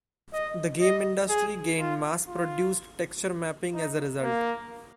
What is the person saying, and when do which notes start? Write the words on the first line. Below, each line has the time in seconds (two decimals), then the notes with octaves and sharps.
The game industry gained mass-produced texture mapping as a result.
0.33 D#5
0.81 D#5
1.30 G#4
1.79 F4
2.28 F4
3.74 D#4
4.22 A#3